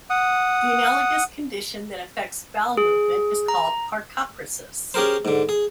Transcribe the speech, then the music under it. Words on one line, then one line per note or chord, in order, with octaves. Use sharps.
The analogous condition that affects bowel movement is called parcopresis.
F#5 D#6
G#4
A#5
C#4 G4 G#4 A#4 C5
G#2 D3
G#4